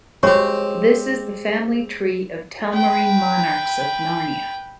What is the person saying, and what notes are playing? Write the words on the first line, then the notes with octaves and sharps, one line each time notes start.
This is the family tree of Telmarine monarchs of Narnia.
G#3 C4 F#4 G4 C#5 C#6
B4 G5